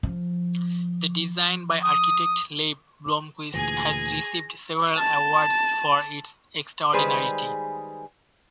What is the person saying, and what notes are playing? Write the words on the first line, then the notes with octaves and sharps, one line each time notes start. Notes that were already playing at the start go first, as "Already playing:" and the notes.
The design, by architect Leif Blomquist, has received several awards for its extraordinarity.
F3
D#6
D2 A#2 E3 G#4 G#5 A#6
A5
D#3 G3 G#3 G#4 B4 C5